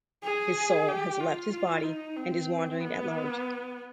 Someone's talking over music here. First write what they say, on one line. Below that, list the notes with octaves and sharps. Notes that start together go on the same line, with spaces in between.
His soul has left his body and is wandering at large.
G#4
G4
F4
F4
D#4
C4
B3